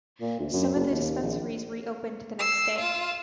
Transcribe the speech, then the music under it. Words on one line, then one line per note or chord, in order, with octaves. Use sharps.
Some of the dispensaries reopened the next day.
A#2
D2
F#2
F#1
D#2
A#1
E6 C7
F4 E7